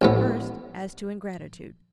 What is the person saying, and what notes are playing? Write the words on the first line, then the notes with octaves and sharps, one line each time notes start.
First, as to ingratitude.
A1 A2 B3